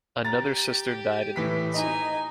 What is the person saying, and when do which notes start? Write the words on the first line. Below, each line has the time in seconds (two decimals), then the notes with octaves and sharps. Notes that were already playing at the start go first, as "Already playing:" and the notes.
Another sister died in infancy.
0.25 G4 A#5 A6
1.36 A2 E3 B6
1.74 D#4 D#5 G#5